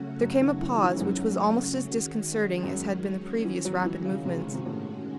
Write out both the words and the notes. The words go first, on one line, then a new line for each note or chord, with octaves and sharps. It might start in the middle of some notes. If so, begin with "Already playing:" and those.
There came a pause which was almost as disconcerting as had been the previous rapid movements.
Already playing: C#3 F#3 A3 C#4 F#4
F#2
D#3
E3
D#3
E3
G#2
F#2
D#3 G#3 C#4 F#4
F#2
E3
F#3
E3
C#3
C3
C#3
C3
A2